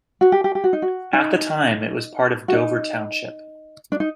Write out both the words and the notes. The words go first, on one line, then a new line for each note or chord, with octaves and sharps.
At the time, it was part of Dover Township.
F#4
G4
G4
G4
F#4
D#4
F#4
D#4
F#4
D#4
D4
D#4